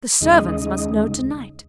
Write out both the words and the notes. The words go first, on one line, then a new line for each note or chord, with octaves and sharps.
The servants must know to-night.
D#2 C#3 G#3 D#4 D#5